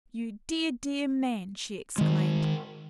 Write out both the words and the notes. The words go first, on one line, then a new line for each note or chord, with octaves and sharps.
"You dear, dear man!" she exclaimed.
D#3 G#3